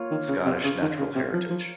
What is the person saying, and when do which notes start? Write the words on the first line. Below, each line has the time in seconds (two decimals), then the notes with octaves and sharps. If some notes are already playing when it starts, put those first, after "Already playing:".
Scottish Natural Heritage.
Already playing: A#3 F4 C#5
0.11 D#3
0.29 C#3
0.46 C3
0.64 C#3
0.81 D#3
0.98 C#3
1.16 C3
1.34 F3
1.50 F3